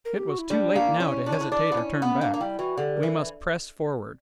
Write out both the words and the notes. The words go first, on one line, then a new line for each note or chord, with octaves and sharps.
It was too late now to hesitate or turn back; we must press forward.
A#4
G4
F#4
E4
G3 D4
A#3
E4
C#4
D4 E4
C#4
D4
D4
B3
C#4
B3 C#4
A#3 D4
A#3
G3 E4
E3 F#4
D3 G4
A#4
E3